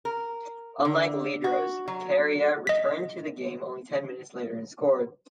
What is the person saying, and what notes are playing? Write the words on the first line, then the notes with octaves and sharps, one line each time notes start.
Unlike Lindros, Kariya returned to the game only ten minutes later and scored.
A#4
D3
F#4
F#3
D#5 B6